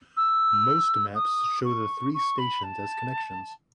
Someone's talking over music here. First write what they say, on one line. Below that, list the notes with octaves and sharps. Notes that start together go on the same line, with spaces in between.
Most maps show the three stations as connections.
E6
D#6
C#6
C#6
B5
A5